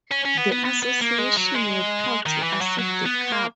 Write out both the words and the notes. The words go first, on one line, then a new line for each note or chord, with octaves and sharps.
The Association were proud to accept the Cup.
C#4
C#4
B3
B3
B3
B3
A#3
G#3
F#3
G#3
D#3
E3
F#3
F#3
B3
A#3